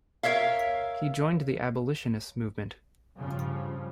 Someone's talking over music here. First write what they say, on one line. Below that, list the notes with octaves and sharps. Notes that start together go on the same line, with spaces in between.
He joined the abolitionist movement.
A#4 C#5 E5 F5
G2 C#3 F3